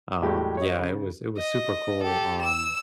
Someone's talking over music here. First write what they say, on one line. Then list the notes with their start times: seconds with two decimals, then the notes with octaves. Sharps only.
um, yeah, it was it was super cool. Um,
0.22 A2 G3 G#3 F#4 G4
0.57 C#5 D#5
0.79 C#3
1.38 D#5
2.02 G4 A4
2.42 E6 E7